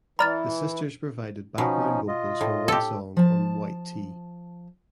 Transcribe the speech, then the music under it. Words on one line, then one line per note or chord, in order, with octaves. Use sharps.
The sisters provided background vocals for one song on "White T".
E3 D5 A#5 B5 F6 A6
B2 F3 C#4 D#4
F4 D#5
A2
G4 A4
F3 A5